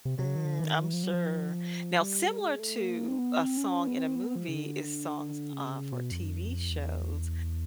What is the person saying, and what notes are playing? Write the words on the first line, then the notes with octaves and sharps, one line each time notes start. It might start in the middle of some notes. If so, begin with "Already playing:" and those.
Mm, I'm sure. Now similar to a song in a movie is songs, uh, for TV shows,
C3
C3
C#3
D#3
D3
E3
D#3
E3
F3
F#3
F3
G3
G#3
A3
A#3
C4
B3
C4
C#4
B3
C4
B3
F3
C#3
D3
C#3
B2
F2
F#2
F2
E2